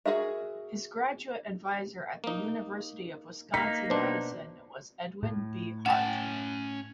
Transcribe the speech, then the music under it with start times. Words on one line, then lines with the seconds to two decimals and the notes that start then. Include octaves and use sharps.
His graduate advisor at the University of Wisconsin-Madison, was Edwin B. Hart.
0.06 F#4 G#4 A#4 E5
2.24 A#3 D#4
3.54 A#3 D#4 B6
3.90 B2 D4 C5
5.23 A2
5.86 C#4 F#5 G5 A5